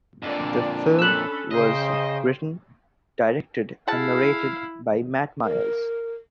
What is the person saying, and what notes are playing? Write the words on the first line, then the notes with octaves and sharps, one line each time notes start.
The film was written, directed, and narrated by Matt Myers.
F2 A#2 D3 D4 F4 D5
C#4 A4 B5 E6 F#6
C#3 C#4 C5 D#5 G5
E4 G#4 F5 F#5 A5
A#4